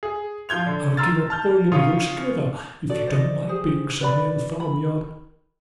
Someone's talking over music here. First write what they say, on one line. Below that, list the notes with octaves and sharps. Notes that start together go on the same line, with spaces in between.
I'll give up Oileymead altogether, if you don't like being so near the farm-yard.
G#4
F3 F4 G6 G#6 F7
D3
A#5 C6 E6 F6 A6
A5 F6 G6
C#3 F4 C#5 D#6
F#4 A4 D5
C5 D5 D#5
G4 G#4 C5
B4 D5 B5
B5